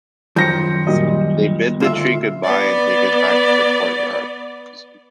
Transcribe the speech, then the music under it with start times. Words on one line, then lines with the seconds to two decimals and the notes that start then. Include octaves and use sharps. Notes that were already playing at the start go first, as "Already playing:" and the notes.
They bid the tree goodbye and take it back to the courtyard.
0.36 F#2 D#3 F3 G6 A#6 C#7
0.87 A#2 G3 D#5
1.80 D2 F4 E5
2.44 B3 D5